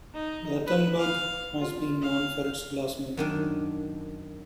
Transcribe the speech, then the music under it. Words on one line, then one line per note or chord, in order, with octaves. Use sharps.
Rattenberg has been known for its glass making.
D#4
B4
F5
F4
F5
F#2 D#3 D4